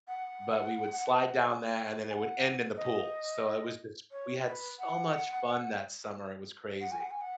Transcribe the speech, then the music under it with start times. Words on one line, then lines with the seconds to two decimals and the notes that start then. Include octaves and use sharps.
but we would slide down that, and then it would end in the pool, so it was just we had so much fun that summer, it was crazy,
0.07 F#5
2.09 G#5
2.14 F#5
2.76 D#5
4.11 C#5
4.44 B4
4.78 F#5
6.80 F#5
6.91 G#5
7.00 F#5
7.10 G#5
7.21 F#5